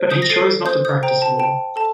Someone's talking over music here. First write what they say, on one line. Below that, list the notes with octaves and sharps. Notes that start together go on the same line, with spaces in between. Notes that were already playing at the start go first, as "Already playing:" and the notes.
But he chose not to practice law.
Already playing: C5
D#6 G6
A#6
A4 A6 C7
C5 D#6 G6
D#6 G6
C5 G5 A#5
A5
G5 A5
A4 A5